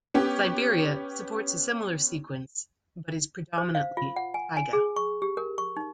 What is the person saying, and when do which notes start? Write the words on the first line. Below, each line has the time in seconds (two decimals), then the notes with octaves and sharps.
Siberia supports a similar sequence but is predominantly taiga.
0.14 B3 C#4 G4
3.58 C5
3.75 F5
3.97 F4
4.16 F#5
4.34 G#5
4.57 G#5
4.73 G#4
4.96 C#6
5.22 G4
5.37 A#4
5.58 C#6
5.77 D#4